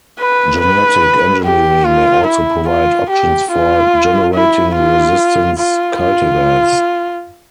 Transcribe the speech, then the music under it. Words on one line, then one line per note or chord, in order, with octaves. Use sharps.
Genetic engineering may also provide options for generating resistance cultivars.
B4
B4
G4
F4
E4
F4
G4
F4
E4
F4
F4
F4